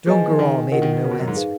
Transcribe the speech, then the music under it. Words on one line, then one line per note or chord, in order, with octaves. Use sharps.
Joam Garral made him no answer.
F3 G#4 B4 D#5 G#5
F3
D#3
D#3 F4 A#4 D#5 F#5
D#3
D#3
C#3
B2
F#2
G#2
D#4 G#4 B4 F5